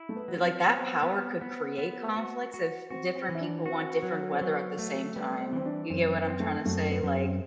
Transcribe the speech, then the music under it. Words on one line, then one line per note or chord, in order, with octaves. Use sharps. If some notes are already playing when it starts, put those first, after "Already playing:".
like, that power could create conflicts if different people want different weather at the same time. You get what I'm trying to say? Like,
Already playing: E4
A3
B3
F#3
C4
B3 C4
B3
B3
B3
F#4
F#4
C4 F#4
C4
E3
E4
D4
C4 F#4
F#3
C4
F#3 B3
A3
G3 B3
C4
E3 C4
D4
F#2 C4
B3
C4
A3
F#2 A3
B3
F#2
C4